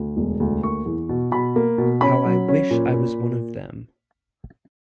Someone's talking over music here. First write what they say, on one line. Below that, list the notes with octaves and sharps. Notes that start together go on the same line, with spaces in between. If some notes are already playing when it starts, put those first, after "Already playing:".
How I wish I was one of them!
Already playing: D2
E1
D2
A#3 C#6
E2
B2
B2 B5
A#3
B2
C#4 B5
F#3
C#4
A#2
A#2